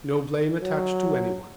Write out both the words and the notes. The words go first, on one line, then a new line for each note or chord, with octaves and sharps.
No blame attached to anyone.
F#3